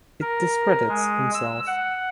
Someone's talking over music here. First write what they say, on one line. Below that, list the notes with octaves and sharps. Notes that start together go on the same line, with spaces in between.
It discredits himself.
A#4
G#3
E6
F#5